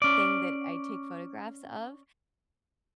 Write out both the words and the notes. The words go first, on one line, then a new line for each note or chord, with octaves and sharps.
thing that I take photographs of,
C#4 D5